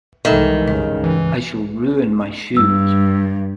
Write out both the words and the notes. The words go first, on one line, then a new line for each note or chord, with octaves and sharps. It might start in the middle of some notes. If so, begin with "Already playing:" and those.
I shall ruin my shoes.
C2 G#2 D#3 E3 D#4 A4 E5
C#2 G2 C#3 D#5
E3
G2 E6